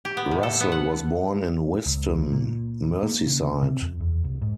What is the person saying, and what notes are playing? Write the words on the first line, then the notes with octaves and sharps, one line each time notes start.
Russell was born in Whiston, Merseyside.
G4
B3
A2
A4
B3
F#5
C#2
A#2
A#3
C#3
C3
F2
E2
C2
G#2